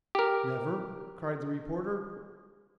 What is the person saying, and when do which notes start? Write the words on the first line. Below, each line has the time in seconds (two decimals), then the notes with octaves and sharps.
"Never?" cried the reporter.
0.15 G4 A#4